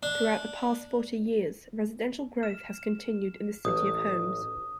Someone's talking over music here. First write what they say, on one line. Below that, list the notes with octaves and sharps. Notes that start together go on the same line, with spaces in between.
Throughout the past forty years, residential growth has continued in the City of Homes.
D4
F6 E7
A1 D#6